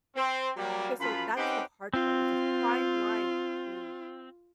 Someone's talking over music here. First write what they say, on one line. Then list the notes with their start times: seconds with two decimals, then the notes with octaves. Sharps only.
Okay, so that's the hard part, it's a fine line between
0.16 C4
0.57 F#3 G3 A#3
0.99 F#2 F3 F4 B5
1.36 C4 C#4 D#4 G4 B4 F#5
1.94 C4 F4